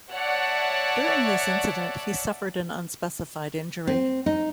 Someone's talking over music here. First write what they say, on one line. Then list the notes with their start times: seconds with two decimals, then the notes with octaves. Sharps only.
During this incident, he suffered an unspecified injury.
0.13 C#5 D5 E5 F#5 A5
3.87 C4
4.26 D#4